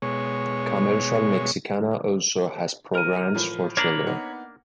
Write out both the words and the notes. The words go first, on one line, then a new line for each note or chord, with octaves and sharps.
Comercial Mexicana also has programs for children.
B2 G#3 C#5
A#4 F6 D#7
A2 E3 F3
A#3 D4 C#5 A#5 B5
B3 D#4 F#5